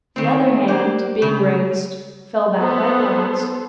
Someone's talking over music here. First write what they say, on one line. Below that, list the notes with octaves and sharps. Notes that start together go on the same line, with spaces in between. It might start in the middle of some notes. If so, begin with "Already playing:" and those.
The other hand, being raised, fell back likewise.
D#3 C4
A#3 D4 G4 C5
C#3
B3 A4 C5